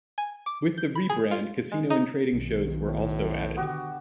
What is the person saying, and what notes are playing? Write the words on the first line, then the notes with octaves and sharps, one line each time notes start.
With the rebrand, casino and trading shows were also added.
G#5
D6
G6
B5
G#4
F4
G#3
D#4
B1 D#3
A2
D3 B3 F#4 G4